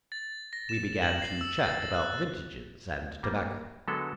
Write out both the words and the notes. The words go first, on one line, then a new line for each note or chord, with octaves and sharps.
We began to chat about vintages and tobacco.
A6
A#6
E7
F#7
C7
E6
A6
F#6
G3 A#3
D3 F#3 G#3 B3 A4